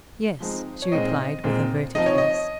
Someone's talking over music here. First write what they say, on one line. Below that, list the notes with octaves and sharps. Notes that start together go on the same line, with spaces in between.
"Yes," she replied with averted face.
F3 G#3 C4 D#4
C#5
A#2 G#3 C4 D#4 D#5
A#2 G#3 C4 D#4
F3 C4 D#4 D#5
C#5
D#5